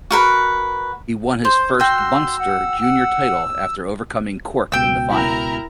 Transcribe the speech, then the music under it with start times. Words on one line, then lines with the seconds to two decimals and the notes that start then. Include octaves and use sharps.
He won his first Munster Junior title after overcoming Cork in the final.
0.11 F#4 A#4 B4
1.45 C5 C6
1.80 F#4 G5 C6 E6
2.39 F#5
2.81 F#5
4.72 C#2 B2 G5 E6
5.10 E4 A#4 A#5